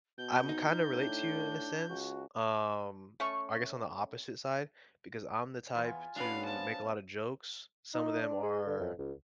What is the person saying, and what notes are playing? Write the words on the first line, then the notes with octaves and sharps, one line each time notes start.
I'm kinda relate to you in a sense, um, I guess, on the opposite side, because I'm the type to make a lotta jokes, some of them are
B2 G6
D#4
A2 D4
C#2 F#4
A3 C#4 C#6
E2 B3 F4 G#5 B5
A#2 C#3 D4 F#4 B4 F5 A5
F3 G3 B3 A5
D#4
D4
G#4
D3
F2
C#2